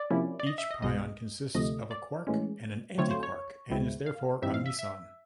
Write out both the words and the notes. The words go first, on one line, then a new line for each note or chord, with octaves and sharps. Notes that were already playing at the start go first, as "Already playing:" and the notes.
Each pion consists of a quark and an antiquark and is therefore a meson.
Already playing: D5
C3 F3 A#3 C#4 E4
D5
D#5
E5
D#5
C2 B2 G#3 D#5
D2 C3 F3 A3 D#5
D5
A2 E3 G#3 C#4
D3 F#3 A3 C4 F4 C#5
C5
C#5
C#2 B2 G#3 C4 E4
F5
G2 E3 G3 C4 D#4 E5
F5
E5
E5